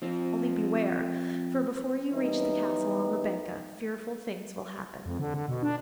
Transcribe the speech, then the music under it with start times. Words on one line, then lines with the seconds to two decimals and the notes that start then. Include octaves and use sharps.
Only, beware; for before you reach the castle on the Banka fearful things will happen.'
0.02 F3 C4
2.12 F#2 E3 G3 B3 D#4
5.06 F2
5.19 D3
5.34 D3
5.48 B2
5.63 D4